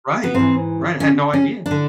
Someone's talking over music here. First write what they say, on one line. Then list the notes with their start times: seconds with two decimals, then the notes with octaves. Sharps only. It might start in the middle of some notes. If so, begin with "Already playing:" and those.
Right, right, I had no idea.
0.24 B3
0.34 G#2 E3 C4
1.00 C#4
1.34 C#4
1.66 D4
1.71 D3